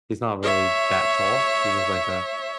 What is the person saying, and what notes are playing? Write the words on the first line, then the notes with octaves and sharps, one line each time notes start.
he's not really that tall. He was like a
C#5 E5